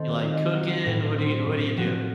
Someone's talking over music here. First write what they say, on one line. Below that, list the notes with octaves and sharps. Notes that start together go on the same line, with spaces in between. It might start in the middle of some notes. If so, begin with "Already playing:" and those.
You like cooking, what do you what do you do?
Already playing: D#3 C4 A4
F#4
D#4 F4
F#3 F#4
F4
F#4
A2
C4
A2
F3 F#4
F4